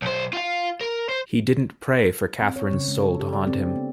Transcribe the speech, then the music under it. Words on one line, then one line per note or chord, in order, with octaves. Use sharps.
He didn’t pray for Catherine’s soul to haunt him.
B1 C5
F4 F5
A#4
C5
C4
C#5
C#3
G#3
A4
G4
D5
C4
D4
B3